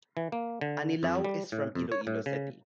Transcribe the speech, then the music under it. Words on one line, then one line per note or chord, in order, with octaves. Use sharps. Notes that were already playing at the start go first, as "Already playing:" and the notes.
Anilao is from Iloilo City.
E3
A#3
D3
F2
G3
A2
F2
C#5
A2
C#3